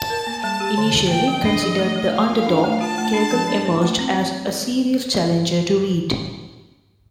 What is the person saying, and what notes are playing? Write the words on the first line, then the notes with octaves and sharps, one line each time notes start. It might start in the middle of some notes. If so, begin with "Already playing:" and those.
Initially considered the underdog, Cagle emerged as a serious challenger to Reed.
Already playing: A5
A#4
A#3
G3 A5
G4
D3
G3
A#3 G5
F3
D4 D#5
F3
A3
A3
A3 F5
F4
D4
A3
F4 A5
A3
D4
F3
D4
A#3
A3
C4